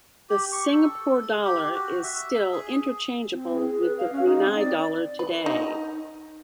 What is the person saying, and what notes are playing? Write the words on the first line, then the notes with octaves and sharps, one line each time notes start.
The Singapore dollar is still interchangeable with the Brunei dollar today.
G4
C#6
A4
G4
F#4
E5
G#4
C4
G#4
B4
F5
C#4
D#4
C4
D5
B4
D#4